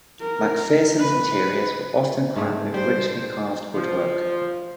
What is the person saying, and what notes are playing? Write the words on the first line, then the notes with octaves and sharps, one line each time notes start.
MacPherson's interiors were often crammed with richly carved woodwork.
A#4
B4
G#2 A3 G#4
G3 C5 G5
F3